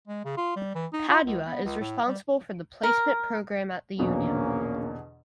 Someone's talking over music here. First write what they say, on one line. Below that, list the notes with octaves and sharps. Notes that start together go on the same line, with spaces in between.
Padua is responsible for the placement program at the union.
G#3
C#3
F4
G3
E3
D#4
F4
C#2
B3
C#2
A2
G3
A#4
A#1 E2 B2 D3 A#3 C#4